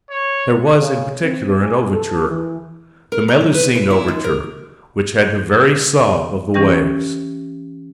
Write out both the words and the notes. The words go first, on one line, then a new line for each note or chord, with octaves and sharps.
There was in particular an overture--the Melusine overture--which had the very sob of the waves.
C#5
C#3
C4
G#4
A4
E3
A#4
A#5
F#3
B4
E4
E4
D#2
A#4
E3 C#4 G4 G5 A#6